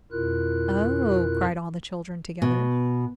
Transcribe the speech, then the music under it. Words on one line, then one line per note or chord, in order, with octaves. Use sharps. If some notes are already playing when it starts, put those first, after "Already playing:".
"Oh!" cried all the children together.
F2 B2 E4 F4 A#4 F#6
B2